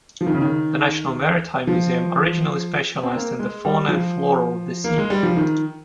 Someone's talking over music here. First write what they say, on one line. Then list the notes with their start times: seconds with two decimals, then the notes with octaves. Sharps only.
The National Maritime Museum originally specialised in the fauna and flora of the sea.
0.21 F3
0.27 D#3
0.34 C#3
0.41 D#3
1.67 F3
3.03 C4
3.16 A#3
3.39 G#3
3.65 G3
3.88 F3
4.84 A#3
4.98 G#3
5.10 G3
5.23 F3
5.37 D#3